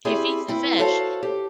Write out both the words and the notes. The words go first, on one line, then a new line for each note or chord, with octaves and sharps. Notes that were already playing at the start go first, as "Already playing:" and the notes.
He feeds the fish,
C4 E4 G4 G#4 D5
C4 E4 B4
F#4 A4 C5 C#5 F5 A5
G4